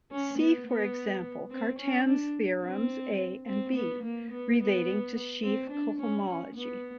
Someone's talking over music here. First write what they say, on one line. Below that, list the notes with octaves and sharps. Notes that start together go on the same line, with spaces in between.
See for example Cartan's theorems A and B, relating to sheaf cohomology.
C#4
B3
B3
C4
C#4
D4
C4
C4
B3
A#3
B3
B3
C4
D4
C#4
C#4
B3